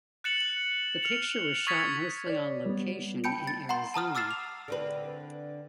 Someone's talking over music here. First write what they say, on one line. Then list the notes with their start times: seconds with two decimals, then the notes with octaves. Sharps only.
The picture was shot mostly on location in Arizona.
0.24 F#6 A6 C#7 E7 F#7
1.03 F6 C#7 F7
1.67 C#6 D#6 G#6 A6 B6 C#7
2.27 C#5 D5
2.66 G3 B3
3.24 G5 A5 B5 G6 C#7 D7
3.47 A6
3.69 F#5 A#5 C6
3.94 A5 A#5 D#6 F6
4.15 D6 E6 F6 A6 C7 E7
4.31 F7
4.68 D3 C4 B4